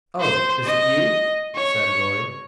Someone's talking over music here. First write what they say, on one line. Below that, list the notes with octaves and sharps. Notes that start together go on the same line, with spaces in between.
"Oh, is it you?" said Roy.
C5
D#5
C#5